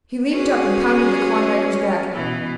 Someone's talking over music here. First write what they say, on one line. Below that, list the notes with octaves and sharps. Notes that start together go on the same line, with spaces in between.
He leaped up and pounded the Klondiker's back.
A#3 C#4 F#4 G#4 B4
B2 E3 B3